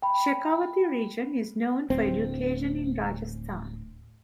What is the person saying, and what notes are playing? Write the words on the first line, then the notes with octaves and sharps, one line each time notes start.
Shekhawati region is known for education in Rajasthan.
G5 B5
D1 C4